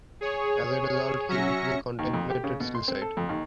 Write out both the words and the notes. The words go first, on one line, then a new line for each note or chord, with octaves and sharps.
As a result, he briefly contemplated suicide.
G#4 C#5
F#3 C#4 E5 A#6 C#7
D#2
F2
G4
C#3
B2
C6
C4
A4
F2
D#2